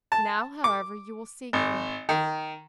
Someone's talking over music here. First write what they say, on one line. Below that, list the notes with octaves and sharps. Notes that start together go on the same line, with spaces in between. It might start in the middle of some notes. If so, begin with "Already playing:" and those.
Now, however, you will seek me.
A5
D6
G#1
D#3